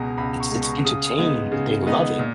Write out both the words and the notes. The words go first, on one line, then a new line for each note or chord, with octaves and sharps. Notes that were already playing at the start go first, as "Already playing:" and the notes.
It's it's entertaining that they love it.
Already playing: C#2 B2 G#3 G#5 A#5
C#2 B5
C#6
B2 G#3
C#6
C#3 D#6
D#6
G#3 B3 D#4
C#3
G#3 B3 D#4
A#2